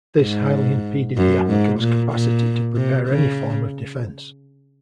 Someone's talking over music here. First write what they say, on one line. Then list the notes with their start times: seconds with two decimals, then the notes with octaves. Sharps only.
This highly impeded the applicant's capacity to prepare any form of defense.
0.21 G#2
1.17 F#2
1.49 G#2
1.80 A#2
2.13 A#2
2.76 C3
3.08 C#3